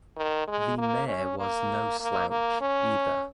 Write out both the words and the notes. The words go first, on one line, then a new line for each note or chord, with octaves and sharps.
The mare was no slouch, either.
D#3
G#3
A#3
C#4
A#3
A#3
A#3
C#4